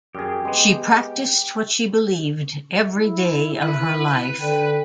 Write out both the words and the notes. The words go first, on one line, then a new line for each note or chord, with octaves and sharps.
She practised what she believed every day of her life.
F#2 G4 G#4
G#3 B3
E4
B4
D3 G5